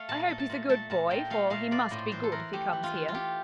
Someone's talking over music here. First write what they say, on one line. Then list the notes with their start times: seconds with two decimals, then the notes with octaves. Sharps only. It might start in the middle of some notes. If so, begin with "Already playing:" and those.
"I hope he's a good boy, for he must be good if he comes here."
Already playing: A3 F5
0.09 A#2 A5
0.29 A3
0.39 A5
0.50 A#2
0.69 A3 A5
0.90 A#2 A5
1.10 A#2 G5
1.30 A3 F5
1.50 A#2 F5
1.71 A#2 D5
1.91 A2 C5
2.12 E3 C5
2.23 A4
2.32 E3 A#4
2.53 A3 G4
2.73 E3
2.84 F4
2.94 E3
3.08 F4
3.14 A3 G4